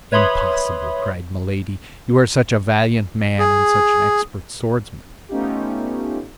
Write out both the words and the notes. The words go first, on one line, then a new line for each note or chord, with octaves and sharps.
"Impossible!" cried Milady, "you are such a valiant man, and such an expert swordsman."
B4 C#5 E5 B5 C6 D#6
G#4
A3 B3 C#4 D#4 F4 G4